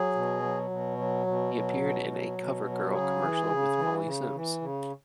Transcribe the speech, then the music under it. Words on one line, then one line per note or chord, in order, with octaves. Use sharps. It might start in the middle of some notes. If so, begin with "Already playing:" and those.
He appeared in a "CoverGirl" commercial with Molly Sims.
Already playing: F#3 G#4
B2
F#3
B2
F#3
B2
F#3
B2
F#3
B2
F#3
C#3 G#4
E3
C#3
E3
C#3
E3
C#3